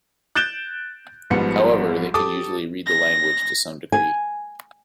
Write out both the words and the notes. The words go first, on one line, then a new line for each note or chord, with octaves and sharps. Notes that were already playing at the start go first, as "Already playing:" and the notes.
However, they can usually read the language to some degree.
F#6 G6 A6 D7 E7 G7
G#1 G#2 F3 G3 B3 C#7
G4 A4 D6 D#6
A#6
G#5